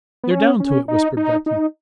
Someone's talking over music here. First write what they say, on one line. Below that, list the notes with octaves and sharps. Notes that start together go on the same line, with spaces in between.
"They're down to it!" whispered Breton.
B3
C#4
C#4
D#4
D#4
D#4